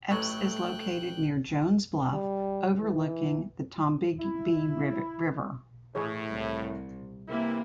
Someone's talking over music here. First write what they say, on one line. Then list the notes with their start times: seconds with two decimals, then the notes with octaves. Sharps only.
Epes is located near Jones Bluff, overlooking the Tombigbee River.
0.11 A1 A2 F#3 A3 G5 F#6
2.13 G3
2.79 E3
4.19 E4
5.95 A2 E3 G#4 C#5
6.32 C2
7.28 C3 E3 A#3 E4